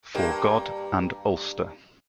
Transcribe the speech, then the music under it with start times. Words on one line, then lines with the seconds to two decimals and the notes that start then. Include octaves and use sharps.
For God and Ulster.
0.15 G2 A#3 G4